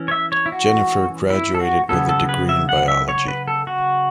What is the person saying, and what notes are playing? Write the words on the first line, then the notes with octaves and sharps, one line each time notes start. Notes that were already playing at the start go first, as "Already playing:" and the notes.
Jennifer graduated with a degree in biology.
Already playing: E3 C#4
C#5
E5
C#5
E4
F#4
E4
A4
F#4
C#3 F#3 B3 A4
A4
B4
E5
F#5
E5
C#5
B4
A4
F#4